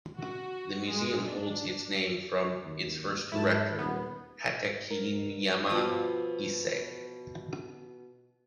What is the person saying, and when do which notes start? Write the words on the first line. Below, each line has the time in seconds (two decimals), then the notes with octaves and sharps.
The Museum holds its name from its first Director, Hatakeyama Issē.
0.16 F#4
0.87 G#3
1.27 D4
2.64 D#2
3.32 G#2 E4 A5
3.79 D#1 B3
4.91 A#4
5.69 B2 F3 B4